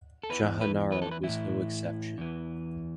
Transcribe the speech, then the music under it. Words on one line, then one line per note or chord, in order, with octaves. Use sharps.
Jahanara was no exception.
A4
E2 E3 B4
B4
B4
A4
B4
A2 E3 E4
E2 E3